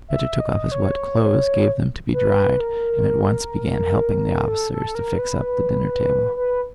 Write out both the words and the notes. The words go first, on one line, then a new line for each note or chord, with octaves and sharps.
Petya took off his wet clothes, gave them to be dried, and at once began helping the officers to fix up the dinner table.
E5
D#5
C#5
B4
A#4
A4
A4
A#4
B4
B4